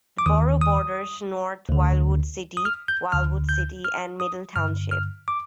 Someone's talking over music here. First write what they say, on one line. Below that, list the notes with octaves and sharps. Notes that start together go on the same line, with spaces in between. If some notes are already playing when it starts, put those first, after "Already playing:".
The borough borders North Wildwood City, Wildwood City, and Middle Township.
D6
D#2 D#3 D#6
D#6
D2 D3
D#6
F6
G6
D2 D3 F6
G6
F6
D#6
G2 D3 F6
F6
D6